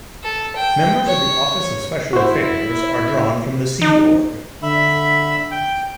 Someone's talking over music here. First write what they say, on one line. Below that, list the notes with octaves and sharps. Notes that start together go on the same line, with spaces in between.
Members of the Office of Special Affairs are drawn from the Sea Org.
A4
G5
C#5
E4 F#4 C5
D#4
D3 E5 B5
G5